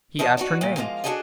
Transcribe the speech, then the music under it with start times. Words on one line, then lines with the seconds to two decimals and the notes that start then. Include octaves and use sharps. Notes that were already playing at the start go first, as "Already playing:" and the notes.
He asked her name.
0.19 E2 B2 D#5 A5
0.37 D4 D#4 F#4
0.61 E2 A#2
0.76 F3 G#3 A#3 D#4 F4
1.04 D4 D#4 F#4 G#4 A4 D#5